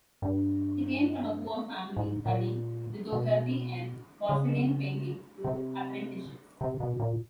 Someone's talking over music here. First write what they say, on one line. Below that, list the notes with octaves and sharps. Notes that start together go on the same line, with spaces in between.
He came from a poor family, studying lithography and porcelain painting through apprenticeships.
G2
G#2
A#2
B2
C#3
C3
C3
B2
A#2